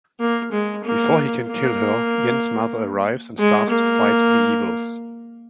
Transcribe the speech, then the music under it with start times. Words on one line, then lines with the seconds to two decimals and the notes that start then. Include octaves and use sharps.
Before he can kill her, Yen's mother arrives and starts to fight the evils.
0.20 A#3
0.52 G#3
0.84 A#3
1.48 A#3
3.39 G#3
3.70 A#3